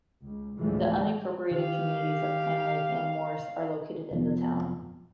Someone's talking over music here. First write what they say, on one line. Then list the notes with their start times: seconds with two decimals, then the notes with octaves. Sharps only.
The unincorporated communities of Clam Lake and Morse are located in the town.
0.22 C#2
0.58 A1 D2 E3 F3 G3 G#3
1.51 D#3 G4 F5
4.11 F1 F3 B3